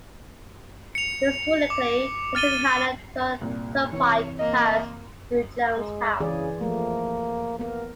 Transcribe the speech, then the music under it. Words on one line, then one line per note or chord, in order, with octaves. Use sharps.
Historically, the Susquehanna and Tioga Turnpike passed through Jonestown.
C#7 F7
D6
F6 A6 D#7 G7
C2 A#2
C3 E3 C#5
A#3 D#5
G#3
C#3 E3 G#4 D5
F3 A3 A#3
A#3 B3 A#4